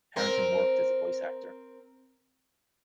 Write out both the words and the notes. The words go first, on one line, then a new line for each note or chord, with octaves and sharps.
Harrington worked as a voice actor.
C4 A#4